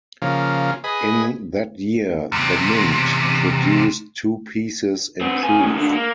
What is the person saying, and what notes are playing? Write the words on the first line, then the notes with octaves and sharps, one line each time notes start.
In that year, the mint produced two pieces in proof.
C#3 F3 A#3
G#4 B4 D#5
E2 C3
B3 C4
C3 G#5
A2 C#3
D#2 D3
A#3